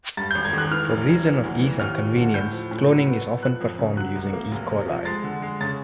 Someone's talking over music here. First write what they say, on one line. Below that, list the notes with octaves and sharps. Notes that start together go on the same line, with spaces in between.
For reason of ease and convenience, cloning is often performed using "E. coli".
G2 A6
G#1 G6
G#6
D#3 F#6
E3 F6
F1
F1
E3
D2
E3
D#2 F6
F3
D3
A2 G6
F3
A2
F#3
B3
B3
F3 F#6
F2
C#3
F#3 F#6
C2
A#3
F1
C3
F3
G#3 A6
D3
G#3
C#3 A6